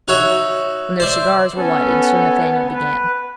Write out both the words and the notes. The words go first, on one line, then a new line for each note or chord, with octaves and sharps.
When their cigars were lighted, Sir Nathaniel began.
D#4 F#4 C#5 E5
C5 D5 E5
B3 C#4 A4
B4